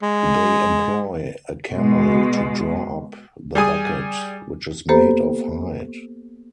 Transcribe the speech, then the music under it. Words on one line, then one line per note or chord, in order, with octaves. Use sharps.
They employ a camel to draw up the bucket, which is made of hide.
G#3
B2 G#3
G3 G#4 G#5 D#6
A#3 B3 G4 A4 C5 A#5